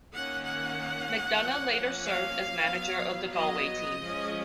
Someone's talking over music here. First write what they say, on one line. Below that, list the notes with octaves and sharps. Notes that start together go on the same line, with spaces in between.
McDonagh later served as manager of the Galway team.
D#3 A#3 C#4 F#5
F#5
F3 A#3 C#4
F5
F#3 B3
D#5
F3 G#3 C#4